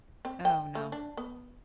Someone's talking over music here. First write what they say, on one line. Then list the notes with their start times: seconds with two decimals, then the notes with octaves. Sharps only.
Oh, no.
0.25 C4
0.45 G5
0.75 A3
0.92 D4
1.17 B3